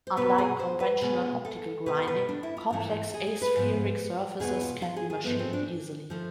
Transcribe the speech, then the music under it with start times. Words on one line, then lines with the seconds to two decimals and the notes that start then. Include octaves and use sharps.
Unlike conventional optical grinding, complex aspheric surfaces can be machined easily.
0.07 C5
0.17 B2 B3 B4
0.38 G#4
0.60 C5
0.80 B4
1.01 B2 G#3 B3
1.45 A4
1.86 B2 A3 B4
2.08 B4
2.29 D4
2.43 E4
2.57 F4
2.71 G#2 E3 A3
3.14 G#4
3.27 G#4
3.42 B4
3.56 G#2 F3 B3
4.40 E2 B2 G#3 B3 G#4
4.61 F4
4.82 F4
4.96 G#4
5.10 G#4
5.24 G#2 F3 A3 B3
5.39 C4
5.53 D4
6.10 F3 A3